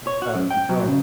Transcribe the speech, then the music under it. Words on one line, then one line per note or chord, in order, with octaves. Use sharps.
That's out of control.
C#5
F#4
F#2
G5
F#3
C#3